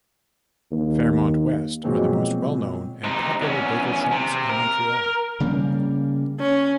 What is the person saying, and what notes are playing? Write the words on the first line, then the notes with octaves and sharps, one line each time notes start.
Fairmont West are the most well-known and popular bagel shops in Montreal.
D#2
B2 F3 F#3 G#3 A#3 C4
C3 D#4
E2 C#4
C3
A#4
C#3 G3 A#3
C#4